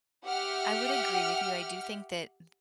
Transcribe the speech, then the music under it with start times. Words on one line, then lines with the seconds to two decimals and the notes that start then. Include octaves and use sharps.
I would agree with you. I do think that th
0.24 G4 E5 F#5 G5 F6